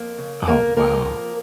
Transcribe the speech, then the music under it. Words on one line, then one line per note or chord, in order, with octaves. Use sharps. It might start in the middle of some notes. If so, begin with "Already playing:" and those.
Oh, wow.
Already playing: F2 A#3
C#3
C#3 A#3 A#4
F3 A#3 A#4
F2